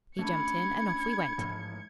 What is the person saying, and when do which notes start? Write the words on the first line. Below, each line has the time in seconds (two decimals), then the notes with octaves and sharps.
He jumped in and off we went.
0.19 A3 C#4 D4 A5 B5 G#6 C#7
1.38 A1 G#2 F3